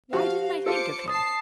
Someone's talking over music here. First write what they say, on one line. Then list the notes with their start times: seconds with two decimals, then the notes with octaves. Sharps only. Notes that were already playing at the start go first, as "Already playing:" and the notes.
Why didn't I think of him?
0.13 F3 F#4 G4 F5
0.66 F4 A4 C5 D6 C#7
1.08 A5 D#6 C7